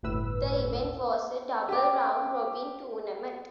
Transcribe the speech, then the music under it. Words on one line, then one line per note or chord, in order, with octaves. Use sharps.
The event was a double round-robin tournament.
G1 D2 A2 B4 E6
G4 D6